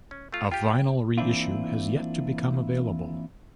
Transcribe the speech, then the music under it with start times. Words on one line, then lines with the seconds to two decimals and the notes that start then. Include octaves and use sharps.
A vinyl re-issue has yet to become available.
0.11 C#4
0.32 A3 F4
0.51 F4 G4 G5
1.18 E3 A#3 C4 D4 E4 F4